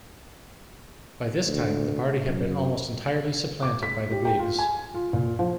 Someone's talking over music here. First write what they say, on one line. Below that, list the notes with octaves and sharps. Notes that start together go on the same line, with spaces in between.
By this time, the party had been almost entirely supplanted by the Whigs.
D2
F#2
D6
B6
G4
G5
F4
G#5
F4
A#2
F3